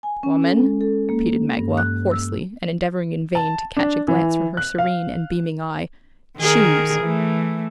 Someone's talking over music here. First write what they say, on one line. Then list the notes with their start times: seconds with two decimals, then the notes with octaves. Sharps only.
"Woman," repeated Magua, hoarsely, and endeavoring in vain to catch a glance from her serene and beaming eye, "choose!"
0.03 G#5
0.23 C#4
0.42 A4
0.57 G#3
0.81 A4
1.09 A#3
1.59 G2
1.78 F#6
2.11 E6
3.35 A5
3.77 D4
4.08 E3
4.57 F#6
4.78 F5
6.39 D#3 G#4 A#4
7.02 E3 A3